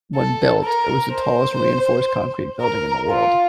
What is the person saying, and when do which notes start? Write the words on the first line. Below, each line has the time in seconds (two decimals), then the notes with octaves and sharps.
When built, it was the tallest reinforced concrete building in the world.
0.15 A4
0.64 A#4
1.13 C5
2.60 A#4
3.09 F4